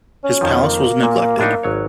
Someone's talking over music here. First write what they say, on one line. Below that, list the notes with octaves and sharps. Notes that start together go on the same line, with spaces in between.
His palace was neglected.
C#4
F2 D#3 F3
A#3
A#2
A2 D4 D#4
G#1 F#3 C#5